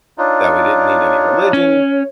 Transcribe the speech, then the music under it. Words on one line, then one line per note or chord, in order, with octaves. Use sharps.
that we didn't need any religion,
D4 D#4 F4 C#5
C#4